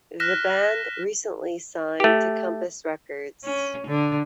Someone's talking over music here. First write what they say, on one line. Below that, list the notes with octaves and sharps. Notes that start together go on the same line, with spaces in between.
The band recently signed to Compass Records.
F6 F#6 A#6 B6 E7
A3 G4
C#4
D3